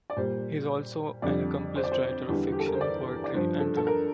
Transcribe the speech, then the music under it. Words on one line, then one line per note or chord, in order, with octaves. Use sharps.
He is also an accomplished writer of fiction, poetry, and drama.
D5
A#2 G3 C5
F2 D3 G3 D5
C5
D5
C5
E2 D3 G3
G4
A4
A#4
C5
D5
D5
G2 F3 C5
A4
A4
A#4